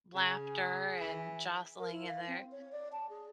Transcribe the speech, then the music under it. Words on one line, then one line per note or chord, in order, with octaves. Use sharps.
laughter and jostling in there.
C#3 G#4
E3
A#4
E4
F5
C4
C#5
D5
A5
G#4